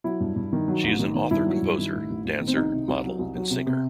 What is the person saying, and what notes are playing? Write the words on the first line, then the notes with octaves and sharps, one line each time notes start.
She is an author-composer, dancer, model and singer.
F#3 E4
G2
G2
D#3
F#3
A1
D#3
D#3
G2 E4
F#3
G2
D#3
A1
A1
A1
D#3
C4
C2 D#4
C3
C2
F#3
C2
F#3
C3
C3